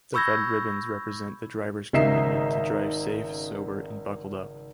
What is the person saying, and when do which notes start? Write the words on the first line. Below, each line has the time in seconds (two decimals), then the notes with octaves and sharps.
The red ribbons represent the drivers' commitment to drive safe, sober and buckled up.
0.14 B5 C#6 E6 G6 G#6 A#6
1.93 G#1 C#3 D#4 E5 C7 E7